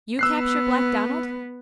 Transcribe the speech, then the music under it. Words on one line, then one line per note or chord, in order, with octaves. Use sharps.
You capture Black Donald!
B3 E6 F#6 C7